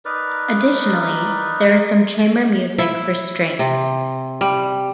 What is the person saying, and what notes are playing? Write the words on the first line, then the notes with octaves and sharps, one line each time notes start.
Additionally, there is some chamber music for strings.
D#4 A#4 B4 D5
E4
C3
G3